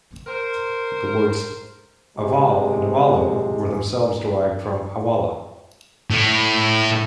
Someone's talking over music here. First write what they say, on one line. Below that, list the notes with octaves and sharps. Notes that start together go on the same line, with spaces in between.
The words "aval" and "avallo" were themselves derived from "hawala".
A#4 C5
C3 G#3
A2